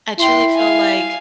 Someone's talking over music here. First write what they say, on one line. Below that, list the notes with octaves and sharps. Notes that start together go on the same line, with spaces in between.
I truly feel like,
E4 G5 C6
F5 G#5